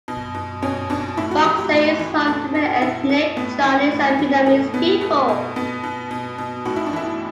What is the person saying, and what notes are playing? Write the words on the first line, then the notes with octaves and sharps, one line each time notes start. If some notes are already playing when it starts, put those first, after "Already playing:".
Pakse is home to many ethnic Chinese and Vietnamese people.
B2
B2
B2 C#4
B2 D4
A2 E4
F#4
E3 G4
G4
A2
E3
B2 A4
B2
B2 E4
B2 C#4
A2 B3
E3 C#4
A2
C#4
E3
B2 A3
B2 B3
B2 A3
B2
B2 B3
B2
B2
B2
A2 F#4
E4
D4
E3 E4